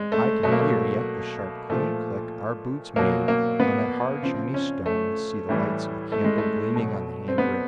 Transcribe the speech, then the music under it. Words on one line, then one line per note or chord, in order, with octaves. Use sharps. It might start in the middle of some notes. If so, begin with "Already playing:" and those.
I can hear yet the sharp clean click our boots made on that hard shiny stone--see the lights of the candle gleaming on the handrail ...
Already playing: G#3
A3
B2 F#3 A3
A#3
A3
A#2 F3 A3
B2 F#3 A#3
A#3
B3
C#3 F3 C4
C#4
A3
A2 E3 G3
A3
G#3
A3
B2 F#3
C4
B3